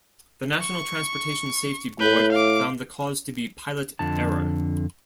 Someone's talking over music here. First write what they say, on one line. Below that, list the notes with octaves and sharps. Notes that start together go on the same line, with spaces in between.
The National Transportation Safety Board found the cause to be pilot error.
C#6
A2 B4 G6
F5 D6
F2 D3 A5